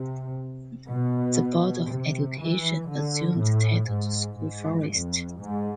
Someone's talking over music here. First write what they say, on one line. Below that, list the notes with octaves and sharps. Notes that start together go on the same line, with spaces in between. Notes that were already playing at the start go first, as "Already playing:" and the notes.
The board of education assumed title to school forest.
Already playing: C3
B2
C3
E3
D3
A2
G#2
G#2
F2
G#2